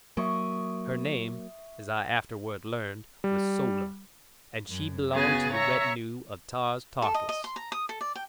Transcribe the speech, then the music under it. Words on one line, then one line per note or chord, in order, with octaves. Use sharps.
Her name, as I afterward learned, was Sola, and she belonged to the retinue of Tars Tarkas.
F#3 A#3 E5 C#6 D#6
G3
F#2
C#3 B3 F#4 G#4 A6
C#5 E5 A#5 C#6
A4
D#5
D#5
C6
A#5
D#6
A4
D5
G5